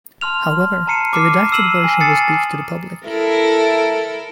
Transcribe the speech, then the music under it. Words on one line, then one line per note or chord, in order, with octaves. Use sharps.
However, the redacted version was leaked to the public.
A5 C6 F6 F7
A5 A#5 C7 C#7 D#7 E7
D6 F6 C7
E6 C7 D#7 E7 F#7
G#5
D#6 A6 C7 C#7
E4 A4 A#4